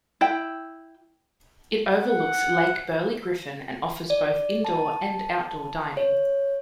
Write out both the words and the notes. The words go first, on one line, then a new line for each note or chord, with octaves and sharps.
It overlooks Lake Burley Griffin and offers both indoor and outdoor dining.
E4 G5
F#5
D5
A5
C#5